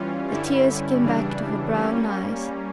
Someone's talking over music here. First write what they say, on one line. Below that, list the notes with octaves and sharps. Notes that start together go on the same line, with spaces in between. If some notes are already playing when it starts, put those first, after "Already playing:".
The tears came back to her brown eyes.
Already playing: E3 G3 C#4 F4
G2 D3 G3 C#4 E4
C#3 E3 G3 D4
G3 A#3 C#4